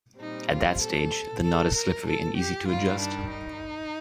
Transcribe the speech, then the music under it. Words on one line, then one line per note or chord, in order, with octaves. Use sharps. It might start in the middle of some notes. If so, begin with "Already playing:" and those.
At that stage, the knot is slippery and easy to adjust.
A#2 G3 C4 D#4
F4
A4
A4
A#4
A4
G4
G2 D#3 G3 F4
D4
D#4